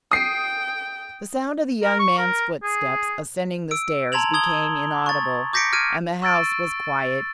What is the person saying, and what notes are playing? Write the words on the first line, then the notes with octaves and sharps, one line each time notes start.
The sound of the young man's footsteps ascending the stairs became inaudible, and the house was quiet.
G5 D#6 C7
A#4
C#6
A#4
G#4
E6 D7
A5 A#5 C6 G#6 F7 F#7
D#6 G#6 G7
C#6 A6
D6 G6 A#6 B6 C#7 D7
F6 G#6 D7 D#7
C#6 E6 A6 D7